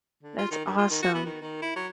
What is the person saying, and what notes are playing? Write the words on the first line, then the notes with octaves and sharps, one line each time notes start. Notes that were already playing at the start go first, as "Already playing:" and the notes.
That's awesome.
D3
F4
D#3
G2
F4
D#3
F#4
B3
D#3
D#3
E4
F#3